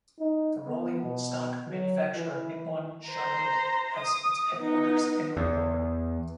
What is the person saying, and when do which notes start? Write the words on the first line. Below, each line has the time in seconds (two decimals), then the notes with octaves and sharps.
The rolling stock manufacturer Nippon Sharyo has its headquarters in the ward.
0.20 D#4
0.67 B3
1.03 B2
1.70 F#3
2.16 E3
3.09 C5 A#5
3.96 D#6
4.58 B3 D#4
5.37 E2